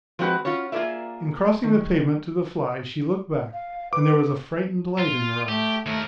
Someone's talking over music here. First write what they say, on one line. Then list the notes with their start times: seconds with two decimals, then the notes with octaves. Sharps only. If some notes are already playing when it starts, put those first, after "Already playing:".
In crossing the pavement to the fly she looked back; and there was a frightened light in her eyes.
0.19 F3 G#3 C4 F#4 B4 F#5
0.45 C#4 F4 F#4 C#5
0.72 A#3 F4 G#4 A#4 D5 E5
1.63 D#3
3.53 F5
3.93 B4 D6
4.99 F4
5.48 A3 G4
5.86 D#2 A3 A#4